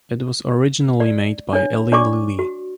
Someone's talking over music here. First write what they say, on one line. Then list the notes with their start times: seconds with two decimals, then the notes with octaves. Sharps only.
It was originally made by Eli Lilly.
1.00 D5
1.53 D4 C#5
1.92 D4 D5 C#6 D6
2.39 F#4